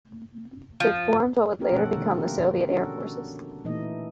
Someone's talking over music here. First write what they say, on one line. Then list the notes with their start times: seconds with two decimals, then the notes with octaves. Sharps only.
It formed what would later become the Soviet Air Forces.
0.80 F3
1.59 A#3 C#4 F4 G4 A#4
1.72 B2 F3 A3 C#4 A4 F#5
1.94 B2 D3 D#3 A3
2.18 F4 G4 A#4
2.69 C#4 D4 F#4 A4 A#4
3.65 A#2 E3 A3 D#4 D#5